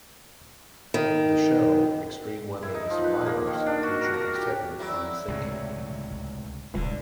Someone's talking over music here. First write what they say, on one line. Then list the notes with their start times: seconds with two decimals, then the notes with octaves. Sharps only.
The show Extreme Weather: The Survivors featured a segment on the sinking.
0.94 D#3
2.62 E4
2.74 D#4
2.90 F3
3.04 B4
3.26 A#3
3.47 D#3
3.66 D4
3.83 F#4
4.01 A#4
4.14 A#5
4.34 G4
4.79 F#3 E4 D5
5.28 C#2 A2 C3
6.74 D#1 C#2 D3